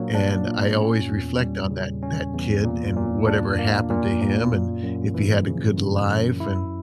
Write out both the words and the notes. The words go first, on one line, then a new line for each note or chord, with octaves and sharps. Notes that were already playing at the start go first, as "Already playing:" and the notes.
And I always reflect on that that kid and whatever happened to him and if he had a good life and
Already playing: A#2 F#3 A#3 D4
D4
A#2
C#4
E2
G3
C#3
C#4
E2
A#2
A#2
D4
A#3
A#2
A#2
F#2
F#2
E3
C#3
F#2
F#2
E4